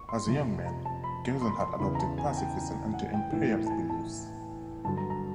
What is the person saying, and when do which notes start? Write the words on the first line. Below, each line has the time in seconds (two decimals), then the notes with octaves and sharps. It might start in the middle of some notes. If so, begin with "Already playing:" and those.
As a young man, Garrison had adopted pacifist and anti-imperialist beliefs.
Already playing: C#6
0.09 C6
0.27 F2 C3 F3
0.66 A#5
0.85 A5
1.04 B5
1.42 C6
1.50 B5
1.60 C6
1.80 E2 C#3 E3 B5
1.95 A#5
1.99 A5
2.18 G#5
2.37 G5
2.94 F#5
3.14 G5
3.32 A2 E3
3.66 A5
3.70 G#5
3.90 A5
4.85 G2 D3 F#3 A5
4.97 A#5
5.10 A#5